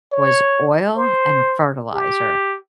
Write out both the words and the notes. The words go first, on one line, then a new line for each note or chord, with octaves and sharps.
was oil and fertilizer.
C#5
C5
G4